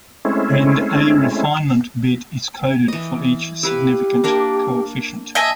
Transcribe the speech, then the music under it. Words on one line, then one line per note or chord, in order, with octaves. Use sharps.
And A refinement bit is coded for each significant coefficient.
G#3 A3 C4 C#4 E4
E3 D#5
E4 G4 B4 F5
A#3 D4 A#4
D#5 E5 G#5 A5